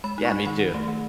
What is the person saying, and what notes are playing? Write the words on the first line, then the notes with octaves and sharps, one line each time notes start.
Yeah, me too.
G#3 B5
D#4
C#6
D#4
D#3 B5
D#3
A3
D#3